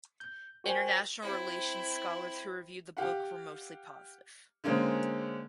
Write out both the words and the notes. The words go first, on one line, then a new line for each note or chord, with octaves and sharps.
International Relations scholars who reviewed the book were mostly positive.
G6
F#4 A#4 C5 G5 G#5
C4 E4
G4 F5 F#5
D3 G#3 A#3 C4 C#4